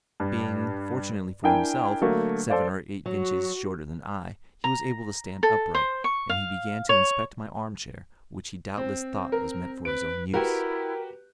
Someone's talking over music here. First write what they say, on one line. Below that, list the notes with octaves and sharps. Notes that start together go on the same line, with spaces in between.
Being, fortunately for himself, seven or eight inches shorter than I, he was able to stand upright, and he began to inspect my arm-chair, which he doubtless thought was meant for his own use.
G2
D4 E4 A#4 G5 G#5
D3 F#3 A3 A#3
A4 C5 D5 F5
F#3 F#4
A#5
A4
C5
C#6
F5
C#5
C4
A#4
B4 D7
E4 F#4 G4 A#4 B4